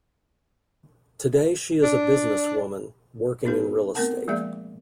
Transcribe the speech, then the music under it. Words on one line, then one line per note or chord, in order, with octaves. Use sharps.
Today she is a businesswoman working in real estate.
D4
B3 D#4 G4 B4
A3 B3 C4 A#4 F#5 A5
F3 G#3 A#3 G#4 D5 E5